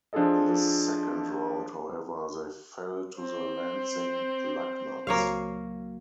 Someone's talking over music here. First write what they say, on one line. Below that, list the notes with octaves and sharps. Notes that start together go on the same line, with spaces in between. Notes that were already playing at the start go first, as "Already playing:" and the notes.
In the second round, however, they fell to the Lansing Lugnuts.
F3 D4 F4 G#4 A4 D#5
C4
C#2 F#3 A#3 C#5 F5